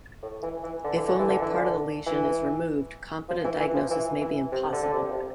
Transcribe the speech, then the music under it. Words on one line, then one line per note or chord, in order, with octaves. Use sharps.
If only part of the lesion is removed, confident diagnosis may be impossible.
A2
E3
E3
D3
E3
D3
E3
D3
E3
D3
E3
F3
E3
E3
F3
E3
E3
C3
D3
D3
C3
A#2
C3